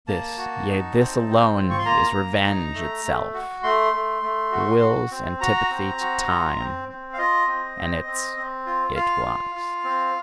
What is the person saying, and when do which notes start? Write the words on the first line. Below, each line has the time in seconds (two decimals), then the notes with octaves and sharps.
This, yea, this alone is REVENGE itself: the Will's antipathy to time, and its "It was."
0.08 A#3 A5
0.38 F#4
0.68 D#4
0.97 C4
1.26 C4
1.56 F4
1.70 C#6
1.79 C6
1.85 A#3 A#5
2.15 A#3
2.45 D#4
2.74 A3
3.04 A3
3.34 F#4
3.63 A3 C6
3.93 A3
4.22 A3
4.52 F#4
4.81 F#4
5.11 C4
5.40 F#4 A#5
5.70 C4
6.00 F#4
6.30 F4
6.59 C4
6.89 C4
7.13 F5
7.18 F4 D#5
7.47 C4
7.78 C4
8.07 C4
8.37 C4
8.66 F4
8.96 F4 F5
9.25 F4
9.55 F4
9.84 C4